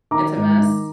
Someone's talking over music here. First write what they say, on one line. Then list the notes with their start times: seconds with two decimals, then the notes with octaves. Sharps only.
It's a mess.
0.11 D#3 A#5 D6
0.35 G#2
0.59 D#3